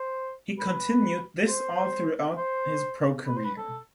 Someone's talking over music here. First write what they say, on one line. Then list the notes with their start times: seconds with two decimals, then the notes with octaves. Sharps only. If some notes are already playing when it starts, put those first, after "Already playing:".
He continued this all throughout his pro career.
Already playing: C5
0.59 B4
1.48 C5
2.37 C5
3.27 B4
3.36 C5
3.44 B4
3.58 A4